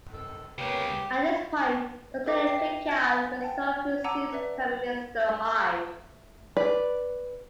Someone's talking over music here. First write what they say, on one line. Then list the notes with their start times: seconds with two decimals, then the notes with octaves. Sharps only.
At this point, Doctor Jekyll resolved to cease becoming Mr. Hyde.
0.12 C3 D#3 A4
0.58 C#3 G#3 A#3 B3 G4 A#4 B4 C#5
2.26 G#4 A4 B4 E5 G5 D6
2.47 E5 G5 C7
2.87 G#5 G#6 A#6
3.41 F#5 G5 A5
4.04 F#5 A5 A#5 D6 E6 D#7
4.33 B4 D5 E5
5.29 A3
6.57 B4 D5